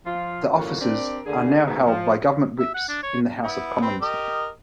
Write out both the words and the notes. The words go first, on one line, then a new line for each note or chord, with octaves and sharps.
The offices are now held by Government whips in the House of Commons.
F3 F4
F#2 A2 A#3 F4 F#4
C4 D4 G4 A#4 D5
D2 D3 A#3 G#4
D#2 G#2 B2 A3 D#4
F3
E5
F#5
D4
C#5
B3 E4
C4 B4
G4 A#4 D#5